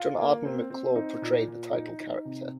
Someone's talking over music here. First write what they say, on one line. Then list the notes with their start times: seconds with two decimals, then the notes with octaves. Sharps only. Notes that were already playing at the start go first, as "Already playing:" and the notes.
John Arden McClure portrayed the title character.
Already playing: F4
0.19 A#3
0.45 C4
0.70 C4
0.96 D#4
1.22 A#2
1.48 A#2
1.73 D#4
2.00 D#4
2.25 C3